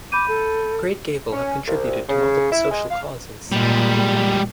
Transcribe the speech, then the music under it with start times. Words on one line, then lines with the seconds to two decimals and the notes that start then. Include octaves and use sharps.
Great Gable have contributed to multiple social causes.
0.12 B5 D6 G6 D#7
0.28 A4
1.33 C#4
1.68 C2
2.09 C#3
2.52 E4
2.71 G#3
2.91 F5
3.52 A#2 G3 G#3